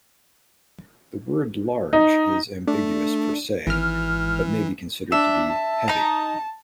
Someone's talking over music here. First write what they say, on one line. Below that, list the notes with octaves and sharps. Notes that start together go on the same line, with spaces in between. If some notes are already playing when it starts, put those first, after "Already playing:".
The word "large" is ambiguous per se, but may be considered to be "heavy".
D#4
A3 D4
G#1 E3 F6
D4 E5
A5
D#4 A#5